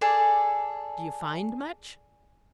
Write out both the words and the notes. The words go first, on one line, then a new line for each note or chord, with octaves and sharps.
"Do you find much?"
G#4 A4 D5